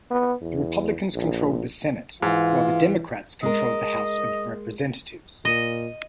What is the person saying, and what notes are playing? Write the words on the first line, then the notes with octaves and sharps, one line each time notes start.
The Republicans controlled the Senate, while the Democrats controlled the House of Representatives.
B3
E2
A#1
G#2 E3 F4
G#3 A#4 D#5
A#2 D#5